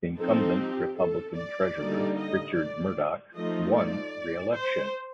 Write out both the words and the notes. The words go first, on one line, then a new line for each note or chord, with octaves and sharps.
Incumbent Republican Treasurer Richard Mourdock won reelection.
F3 C4 D#4 A4
G4
A4
D5
D3 G3 A#3 D#4
D#5
D5
F3 A3 D#4 D#5
D5
C5